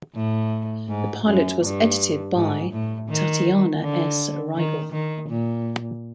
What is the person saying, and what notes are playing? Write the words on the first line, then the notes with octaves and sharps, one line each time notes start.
The pilot was edited by Tatiana S. Riegel.
A2
G#2
F#2
G2
G#2
A2
D#3
D3
D#3
D#3
A#2